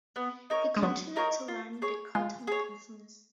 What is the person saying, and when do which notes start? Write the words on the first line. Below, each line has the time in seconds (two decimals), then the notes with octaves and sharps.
He continued to run the cotton business.
0.16 B3
0.50 D#4 A#4 C#5
0.77 G#3
0.83 F#3 B3
1.16 D#4 A#4 C#5
1.48 F4
1.82 G#4 C#5
2.15 G#3 F4
2.47 G#4 C#5